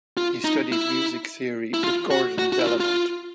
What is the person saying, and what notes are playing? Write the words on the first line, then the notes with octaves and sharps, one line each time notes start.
He studied music theory with Gordon Delamont.
F4
D#4
E4
E4
F4
F#4
F#4
F#4
E4
F4
F4